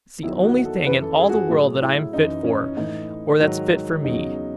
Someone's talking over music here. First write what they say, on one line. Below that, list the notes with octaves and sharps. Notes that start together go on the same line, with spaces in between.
It's the only thing in all the world that I am fit for, or that's fit for me.
E2 D#3 F#3 E4
F#4
A4
F#2 E3 B4
A4
G#4
F#4
G#4
A2 F#3 G#4
E4
F#2 E3 D#4
C#4
A2 E3 D#4
G#2 D#3 F#3
E2 C#3 F#3 D#4